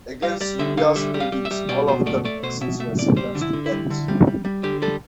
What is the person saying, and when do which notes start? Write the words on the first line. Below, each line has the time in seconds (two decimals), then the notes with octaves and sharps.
Against Urrea's pleadings, all of the Texians were sentenced to death.
0.22 G3 F5
0.41 G3 D5
0.59 D3 E5
0.77 D3 F5
0.96 G3 E5
1.14 G3
1.20 F5
1.32 G3
1.45 E5
1.51 G3
1.69 B2 D5
1.87 B2 C5
2.06 A3 D5
2.25 A3 D5
2.43 B2 C5
2.61 B2 E5
2.80 A3 E5
2.98 B2 D5
3.16 G3 C5
3.35 D3 D4
3.41 E4
3.53 D3
3.66 E4
3.72 G3
3.90 D3
4.08 G3
4.27 G3
4.45 G3
4.63 D3 G4
4.82 G3 A4